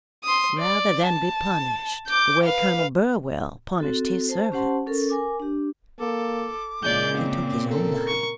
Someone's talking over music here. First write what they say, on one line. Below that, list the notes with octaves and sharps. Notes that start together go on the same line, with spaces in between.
Rather than be punished the way Colonel Burwell punished his servants, he took his own life.
C6 D#6
D5
A5
D6 G6
B4 F5
C4 F#4 A4
C5 A5
C#4 G4 C5 F#5 A5 C6
C#4 A4 A#4
A#4 G#5 D6
D4 G4
A#3 A4 D6
A#2 C#3 G#3 D5 G6
C4
A4 A#4
C#6